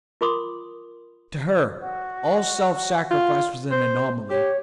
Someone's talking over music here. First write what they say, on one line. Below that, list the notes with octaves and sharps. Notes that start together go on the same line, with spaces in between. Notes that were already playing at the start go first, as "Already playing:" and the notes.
To her all self-sacrifice was an anomaly.
F4 A#4 B5 C6 D6 D#6
F#4
F4
C5
G4 C#5